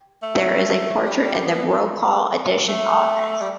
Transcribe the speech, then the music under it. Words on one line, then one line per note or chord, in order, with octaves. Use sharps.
There is a portrait in the "Brokaw Edition"s office.
A3
G3
G3
B3
A3
G3